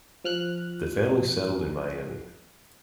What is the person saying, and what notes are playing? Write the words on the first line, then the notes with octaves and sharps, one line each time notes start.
The family settled in Miami.
F3 F6 F#6